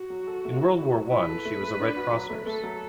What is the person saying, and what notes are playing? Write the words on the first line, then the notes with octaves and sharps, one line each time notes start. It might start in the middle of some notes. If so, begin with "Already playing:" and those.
In World War One, she was a Red Cross nurse.
Already playing: F#4
F#3
A4
A3
E4
E4
F#3
E4 B4
A4
A3
A3
D4
F#4
F#3
A3
A3 A4
F#3